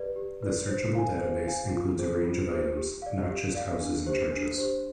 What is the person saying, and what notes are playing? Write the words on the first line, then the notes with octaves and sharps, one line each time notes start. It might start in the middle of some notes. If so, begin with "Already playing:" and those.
The searchable database includes a range of items, not just houses and churches.
Already playing: G4 B4 D5
G4
B4 D5
C5
F5 G#5
C5
F5 G#5
F4
G#4 C5
F4
G#4 C5
G4
D5 F5
G4
D5 F5
D4
G4 C5
D4
G4 C5